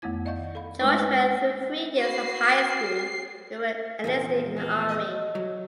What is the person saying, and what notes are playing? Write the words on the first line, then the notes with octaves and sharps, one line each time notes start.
George went through three years of high school before enlisting in the army.
F2 D#3 A3 B3 E4 G#6
D5 D#5 F5 F#5 C#6 G6
A4 F5 B5
G#3 A3 D4 D#4 B4 C#5
B4
G#3 A#3
F#4 B4 C7
E2 A#2 F3
A#3
D#5
F#3